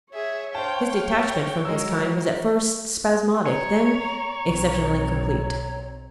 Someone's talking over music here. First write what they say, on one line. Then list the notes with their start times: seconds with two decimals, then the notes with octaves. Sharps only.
His detachment from his kind was at first spasmodic, then exceptionally complete.
0.14 G#4 C#5 E5
0.55 C5 F5 G5 A5
0.85 G5
1.65 F#3 G#3 A#4 E6
3.46 C#5 A#5
4.46 B1 C4